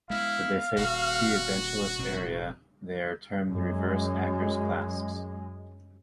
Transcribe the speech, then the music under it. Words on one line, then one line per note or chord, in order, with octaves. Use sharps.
Should they face the edentulous area, they are termed reverse Akers' clasps.
G#3 B3 E4 F5
D#1 F#4
E1 A2 C4
F#2 G#3